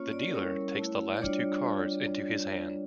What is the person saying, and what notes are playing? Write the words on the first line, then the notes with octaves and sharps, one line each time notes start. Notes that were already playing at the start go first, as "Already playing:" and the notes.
The dealer takes the last two cards into his hand.
Already playing: A#3 C#4 F4 C#5
D5
C#5
A#4
G3 C#4 E4 C#5
A3 E4
D5
G3 D4 F4 C#5